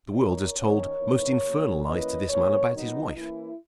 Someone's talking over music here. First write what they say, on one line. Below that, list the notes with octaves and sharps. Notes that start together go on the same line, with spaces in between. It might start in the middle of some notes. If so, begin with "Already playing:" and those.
The world has told most infernal lies to this man about his wife.
A#2 G#3 D#4 A#4 C#5
D#3 A#3 C#4 A#4 C#5
E3 B3 D#4
C#3 F#3 A#3
E3 A#3 C#4 B4 D#5
E3 A#3 C#4 A#4 C#5
D#3 F#3 B3 D#4
E3 A#3 C#4 E4